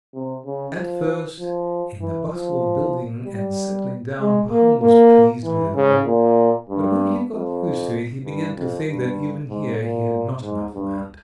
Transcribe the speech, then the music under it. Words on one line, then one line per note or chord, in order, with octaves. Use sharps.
At first, in the bustle of building and settling down, Pahom was pleased with it all, but when he got used to it he began to think that even here he had not enough land.
C3
C#3
F3
F3
E3
F3
G3
G#3
A#3
A#3
E3
C#3
A#2
G2
F2
G2
F2
G2
G#2
A#2
G#2
G2